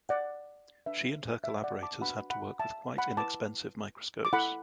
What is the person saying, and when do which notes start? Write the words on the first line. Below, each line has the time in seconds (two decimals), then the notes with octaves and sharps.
She and her collaborators had to work with quite inexpensive microscopes.
0.09 D5 F#5
0.86 D4 B4 E5
1.44 E5
1.64 D5 F#5
1.83 A5 D6
2.01 D4 F#4 B4 F#5 B5
2.30 F#5 B5
2.59 E5 A5
2.98 F#5 B5
3.17 E4 B4 A5 D6
4.25 D6
4.33 E4 A4 F#5 B5